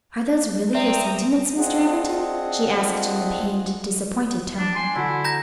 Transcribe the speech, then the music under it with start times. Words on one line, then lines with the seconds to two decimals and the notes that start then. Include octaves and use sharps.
"Are those really your sentiments, Mr. Egerton?" she asked, in a pained, disappointed tone.
0.75 C4 D5 E5 A#5 D#6
1.57 C4 D4 F4 G#4 D#5 F#5
4.58 D4
4.76 G5 G#5 C6
4.95 D3 E4 F#4
5.24 A#5 G6 A#6